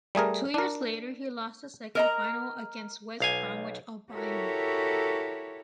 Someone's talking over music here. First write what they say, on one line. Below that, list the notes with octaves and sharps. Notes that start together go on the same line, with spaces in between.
Two years later he lost a second final against West Bromwich Albion.
G3 A3 G#4 A#4
D4 A#4
A#4 D#5 A#5
B1 F5 G#5
E4 F#4 G4 A4 A#4 C#5